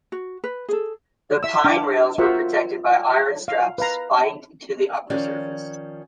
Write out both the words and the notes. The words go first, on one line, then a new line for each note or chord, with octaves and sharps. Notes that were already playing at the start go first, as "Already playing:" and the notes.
The pine rails were protected by iron straps spiked to the upper surface.
F#4
B4
G#4 A4
E5 E6
D4 D6
F4 F#4 A#4 C5 E5 F#5
F5
B4 F5 A#5
D#3 F3 C#4 D5